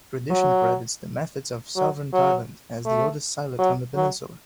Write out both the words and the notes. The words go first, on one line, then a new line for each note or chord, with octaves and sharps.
Tradition credits the methods of southern Thailand as the oldest silat on the peninsula.
F#3
F#3
F#3
A3
F#3
F#3